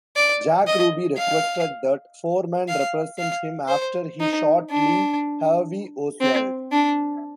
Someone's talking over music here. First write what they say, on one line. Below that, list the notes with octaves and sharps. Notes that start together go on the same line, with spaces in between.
Jack Ruby requested that Foreman represent him after he shot Lee Harvey Oswald.
D5
D#5
F5
F5
F5
C5
D#4
D4
C4
D4